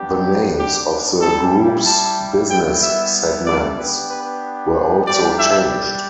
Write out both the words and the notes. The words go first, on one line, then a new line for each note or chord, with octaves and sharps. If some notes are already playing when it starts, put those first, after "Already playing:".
The names of the Group's business segments were also changed.
Already playing: B3 D4 G4
G4
G3 E4 G4 A4
A5
G3 B3 E4 G5
E5
D5
B3 D4 G4 B4
B4
G3 D4 G4 D5
E5